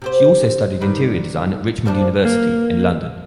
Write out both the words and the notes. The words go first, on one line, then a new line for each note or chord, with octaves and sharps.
She also studied interior design at Richmond University in London.
C3 G4 C5
D#3 G3 B4
F3 G3 D4
A#3